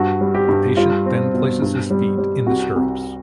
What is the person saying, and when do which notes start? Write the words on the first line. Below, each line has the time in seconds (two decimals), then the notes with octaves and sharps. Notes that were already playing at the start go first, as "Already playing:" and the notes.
The patient then places his feet in the stirrups.
Already playing: G2 F#4
0.21 G3
0.34 G4
0.49 G2
0.77 G3 F4
1.06 C4
1.34 B2
1.62 G2
1.90 G3
2.18 G3
2.46 C2 F#4
2.76 C2